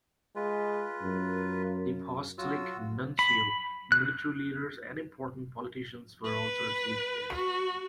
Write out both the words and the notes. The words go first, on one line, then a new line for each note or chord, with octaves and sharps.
The Apostolic Nuncio, military leaders and important politicians were also received here.
G#3 F4 B4
F#2 A#4
F#3 F4 F#4 E6
B5
F#6
B4
F#4